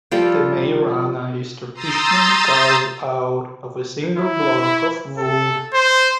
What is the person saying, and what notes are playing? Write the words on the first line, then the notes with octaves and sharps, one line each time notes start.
The mejorana is traditionally carved out of a single block of wood.
F3 G3 F4 A4
A#5 C6 D#6 E6 G6 A6
E4
A4
C5